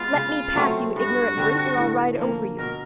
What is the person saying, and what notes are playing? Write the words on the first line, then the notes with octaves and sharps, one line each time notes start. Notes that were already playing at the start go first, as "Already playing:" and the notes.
"Let me pass, you ignorant brute, or I'll ride over you."
Already playing: G#3 B3 F4
C#3
F#3 A3 C4
G2 F#4
D3 G3 C4
A2
F3 A#3
B2 A#4